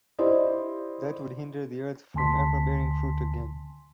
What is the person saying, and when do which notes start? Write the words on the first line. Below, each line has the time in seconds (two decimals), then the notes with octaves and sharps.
That would hinder the earth from ever bearing fruit again.
0.19 E4 G4 C5 D5 D#5
2.14 D2 D3 G#5 A5 C6 B6